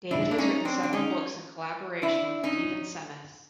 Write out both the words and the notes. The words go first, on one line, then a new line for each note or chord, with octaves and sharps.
David has written several books in collaboration with Stephen Semmes.
D4 E4
D4
C#4 D#4
C4 D4
D4
C#4 D#4
D4 E4
C#4 D#4